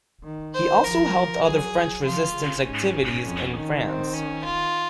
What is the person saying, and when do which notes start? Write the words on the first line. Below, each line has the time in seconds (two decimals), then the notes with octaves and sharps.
He also helped other French Resistance activities in France.
0.24 D#3
0.54 C5
0.84 F3 A#4
1.45 F#3 G#4
2.04 F3 F4
2.34 C#3
2.64 G#2 C#4
3.24 F2
3.54 D#3
3.85 C4
4.14 C#4
4.45 F4